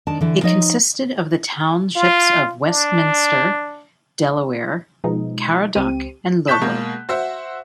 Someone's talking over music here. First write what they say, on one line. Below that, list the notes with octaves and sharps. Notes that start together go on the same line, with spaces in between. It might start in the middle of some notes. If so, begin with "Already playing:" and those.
It consisted of the townships of Westminster, Delaware, Caradoc and Lobo.
D#3 D4 A5
D3 E3
F3 D#4 C#5 D#5
F4
D4
B2 F3 G#3 D#4
C#2 C4 G4 D#7
A5 C#6 F#6 G6 B6 E7
B2 G#3 A#3
F#4 C5 E5 F#5